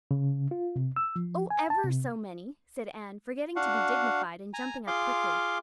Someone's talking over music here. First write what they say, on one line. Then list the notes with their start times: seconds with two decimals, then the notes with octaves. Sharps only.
"Oh, ever so many," said Anne forgetting to be dignified and jumping up quickly.
0.11 C#3
0.51 F4
0.76 C3
0.96 E6
1.16 F3
1.50 G#5
1.70 A5
1.84 C3
3.56 D4 F#4 F5 F#5
4.54 G#5 A#5
4.87 F4 G#4 F5 C6 D6